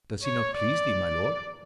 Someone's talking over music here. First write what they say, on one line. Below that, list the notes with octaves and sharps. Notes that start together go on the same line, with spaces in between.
Does he not please thee, my lord?
C#5
D5